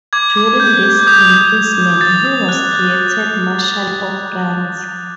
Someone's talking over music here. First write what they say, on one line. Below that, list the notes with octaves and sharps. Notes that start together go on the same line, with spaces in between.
During this imprisonment he was created marshal of France.
D6 G#6
D6
G6
G6
D#6 G6
D#6
G6
G6
D#6 A6
D#6
F#6
F#6